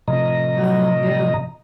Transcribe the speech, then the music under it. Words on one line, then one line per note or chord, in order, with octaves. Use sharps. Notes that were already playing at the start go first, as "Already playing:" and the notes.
Oh, yeah.
A2 C3 F3 D#5 A#5